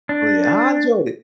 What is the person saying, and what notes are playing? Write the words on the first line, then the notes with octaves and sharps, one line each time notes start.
Really, I enjoyed it.
D4